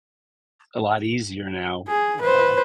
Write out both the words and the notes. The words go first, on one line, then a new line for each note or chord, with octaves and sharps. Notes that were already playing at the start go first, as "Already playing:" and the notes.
a lot easier now, uh,
G#4
B4 C5